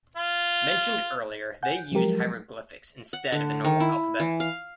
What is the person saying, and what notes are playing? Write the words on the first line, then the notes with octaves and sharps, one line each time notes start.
Mentioned earlier they used "hieroglyphics" instead of the normal alphabets.
F4
F#5 G#5 G6
F3 F#3 G#3 G4 A#4
F#5
D3
D#3
E4
E3
F5